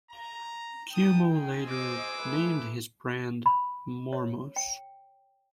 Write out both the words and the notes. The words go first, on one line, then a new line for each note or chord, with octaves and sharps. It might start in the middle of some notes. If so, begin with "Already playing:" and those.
Cuomo later named his band Mormos.
A#5
B3 D#4 G5 A5 D#6
F4 G#4 G#5
C5 D#5 D6 E6
A3 B4
B5
C#5
G5